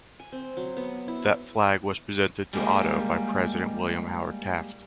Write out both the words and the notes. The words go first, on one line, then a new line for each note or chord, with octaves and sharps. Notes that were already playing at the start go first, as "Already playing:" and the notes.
That flag was presented to Otto by President William Howard Taft.
G#5
C4
F#3
B3
E4
G3 G#3 A#3